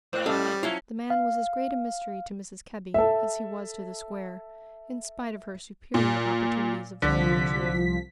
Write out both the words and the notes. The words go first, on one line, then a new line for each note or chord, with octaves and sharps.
The man was as great a mystery to Mrs. Kebby as he was to the square, in spite of her superior opportunities of learning the truth.
G#2 C5 F#6
G3 C#4 A4 D#5 F5
F#3 C#4 E4 F4 A5
F5
A4 E5
A#2
C2 D3 F3 B6